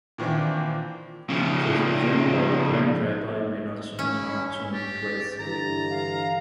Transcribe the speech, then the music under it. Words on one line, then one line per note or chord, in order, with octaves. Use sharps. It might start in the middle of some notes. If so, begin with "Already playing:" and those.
It was begun by the Grand Rabbi Menachum Nachum Twerski.
A#2 D#3 E3 C4 D4
C#3 F3
C#4 E4
G4 A6
G2 D3 E3 A#5
F5